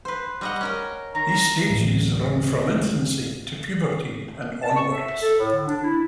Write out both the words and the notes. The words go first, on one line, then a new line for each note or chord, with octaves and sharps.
These stages run from infancy to puberty and onwards.
B4 C5
G3 D#5 F#5
C#4 A#4 D#5
D#3 A#5
D1 A1
A5
C#6
E5
A4
A2
D3
D4
E4